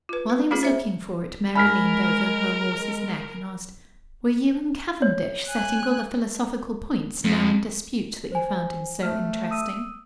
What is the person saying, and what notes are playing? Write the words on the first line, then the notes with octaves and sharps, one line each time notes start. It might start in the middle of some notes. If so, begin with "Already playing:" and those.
While he was looking for it Mary leaned over her horse's neck and asked: "Were you and Cavendish settling all the philosophical points now in dispute, that you found him so interesting?"
F4 B4
B4
A3 C#4 D4 F4 G#4
C5 E5
G#3 A#4 G#5 B5 F6 B6
C#5
G#5 F#6
F2
C5 G#5
A3 F6
D#6 E6 D#7